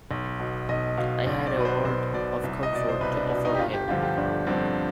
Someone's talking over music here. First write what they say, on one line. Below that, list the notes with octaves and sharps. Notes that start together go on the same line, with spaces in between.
I had a word of comfort to offer here.
B1
B2
B1 D#5
B2 F5
B1 D5
D5
B2 B4
C5
B1 C5
B2 D5
C2
D#5
B2 D5
C5
C2 B4
D4
B2 D4
D#4
G4
G1 F4
G4
G2 D3 F3 F4
G4
G1 D4
G2 D3 F3 C4